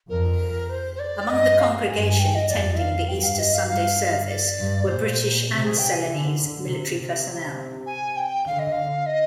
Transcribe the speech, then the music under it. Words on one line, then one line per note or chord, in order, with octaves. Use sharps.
Among the congregation attending the Easter Sunday service were British and Ceylonese military personnel.
F2 A#4
C5
C5
D5
G2 D#5
F5
G2 G#5
G#5
G5
D#5
F2 D5
F5
G2 G5
F5
D#5
F5
G2 F5
D5
G2
A#2 C5
C3
G#4
G5
G#5
D3
C3
C3
G#5
G5
D3 F5
D#5
F5
D#5